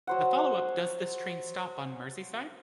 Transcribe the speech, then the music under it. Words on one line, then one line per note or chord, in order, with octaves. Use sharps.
The follow-up Does This Train Stop on Merseyside?
F#3 C5 F#5